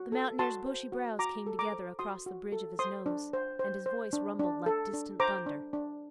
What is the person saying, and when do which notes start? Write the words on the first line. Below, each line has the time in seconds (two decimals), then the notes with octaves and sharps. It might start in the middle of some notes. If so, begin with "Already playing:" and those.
The mountaineer's bushy brows came together across the bridge of his nose and his voice rumbled like distant thunder.
Already playing: F#4
0.12 A4
0.39 F#4 A5 C6
0.66 C5
0.92 F#4
1.19 F#4 A#5 D6
1.46 A4
1.59 A#5 D6
1.72 C5
1.99 F#4 C6 D#6
2.26 F#4
2.52 A4
2.79 C5 C6 D#6
3.06 D4
3.33 C5
3.59 C5
3.86 C5
4.13 D4
4.39 D4
4.66 A4
4.94 D4
5.20 C5 A#5 D6
5.46 D4
5.73 D4